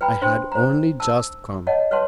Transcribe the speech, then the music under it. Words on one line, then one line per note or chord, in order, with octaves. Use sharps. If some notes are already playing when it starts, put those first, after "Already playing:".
"I had only just come."
B4 G5 A#5 B5
D4 C5 G5 C6
C5 A#5
A5 E6
C#5 D#5 F#5 A5
B4 C#5 F#5 A5 C6